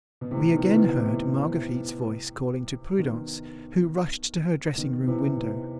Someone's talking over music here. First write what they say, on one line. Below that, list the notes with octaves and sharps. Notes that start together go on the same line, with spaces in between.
We again heard Marguerite's voice calling to Prudence, who rushed to her dressing-room window.
B2
A2 C3
B2 D#3
E3
B2 D#3
A2 C3
B2 D#3
B2 D#3
C3 E3
B2